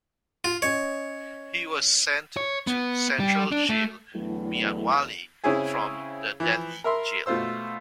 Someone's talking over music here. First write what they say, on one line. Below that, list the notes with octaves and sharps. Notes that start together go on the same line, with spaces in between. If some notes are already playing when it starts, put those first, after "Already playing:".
He was sent to Central Jail Mianwali from the Delhi jail.
F4
C#4 C#5 D#5
C#5
B3
G3
D4
A3
E2 A2 D3 F#3 A3 E4
C#3 C4 C#4 E4 G#4 G#5
E3 F3
A#4 E5 B5 C6
B2 A3 F4 C5 E6